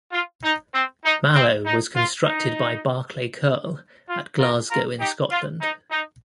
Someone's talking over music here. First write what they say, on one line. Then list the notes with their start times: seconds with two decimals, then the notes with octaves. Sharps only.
"Mallow" was constructed by Barclay Curle at Glasgow in Scotland.
0.13 F4
0.43 D#4
0.74 C4
1.05 D#4
1.35 C4
1.65 D#4
1.96 F4
2.26 D#4
4.09 F4
4.39 F4 A#4
4.70 F4 A#4
5.00 D#4 G4
5.30 F4
5.61 D#4
5.91 D#4